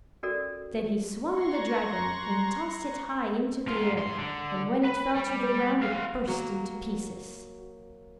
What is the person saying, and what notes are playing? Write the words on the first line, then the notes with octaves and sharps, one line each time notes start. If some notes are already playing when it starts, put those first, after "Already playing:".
Then he swung the dragon, and tossed it high into the air, and when it fell to the ground it burst into pieces.
C#4 F#4 A4 A#4 D5
A#5 C6 C#6 F#6 G#6 A#6
G#2 F4
G#2 C6
D3
B4
G3
F#4 F5
F#3 A#3 F#4